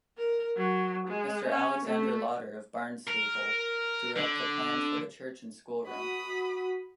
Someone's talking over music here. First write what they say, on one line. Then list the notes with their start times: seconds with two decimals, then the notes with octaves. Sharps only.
Mister Alexander Lauder of Barnstaple drew up the plans for the church and schoolroom.
0.18 A#4
0.57 F#3
1.07 G#3
1.50 C#4
1.85 A3
3.07 A#4
4.16 D3
5.87 F#4 B5 D#6